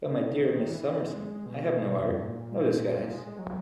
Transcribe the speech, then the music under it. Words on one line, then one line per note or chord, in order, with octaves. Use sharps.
But, my dear Miss Summerson, I have no art, no disguise.
C#3
B2
C#3
D#3
E3
G#3
B2
E2
F#2
G#2
A#2
A#2
G#3
G#3
F#3